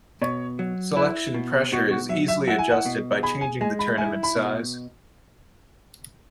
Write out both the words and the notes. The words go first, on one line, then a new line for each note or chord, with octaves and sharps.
Selection pressure is easily adjusted by changing the tournament size.
B2 C#5
F#3
E4 B4
B2
B2 F#4
F#4
F#3 E5
E5
E4 F#5
G#5
F#5
B2
G#4 B5
G#5
G#3 G#5
B5
E4 G#5
B5
B2